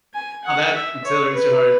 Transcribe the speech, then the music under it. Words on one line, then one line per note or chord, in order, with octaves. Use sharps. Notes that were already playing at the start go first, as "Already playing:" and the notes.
how that accelerates your heart.
G#5
F#5
E5
C#5
B4